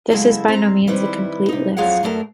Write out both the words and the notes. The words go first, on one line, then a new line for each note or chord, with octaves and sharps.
This is by no means a complete list.
C#3 F#3 G#3 E4 A4
C4 A#5
D#3 G3 C4 E4 B4
C3 D#4
F2 F#3 F4 G#4 F5 F#5
F#2 F#3 A3 D4 A4 A#4